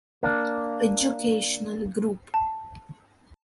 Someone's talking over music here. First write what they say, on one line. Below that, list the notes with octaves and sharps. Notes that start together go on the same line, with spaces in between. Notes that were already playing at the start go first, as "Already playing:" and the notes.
Educational Group.
A#3 D4
A5